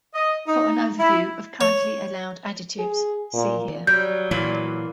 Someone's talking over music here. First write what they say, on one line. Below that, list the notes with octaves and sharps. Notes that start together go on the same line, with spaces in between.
For an overview of currently allowed additives see here.
D#5
D#4
E4
C#5
G#4
A#2
F#3 G3 G6
A#2 E3 A#3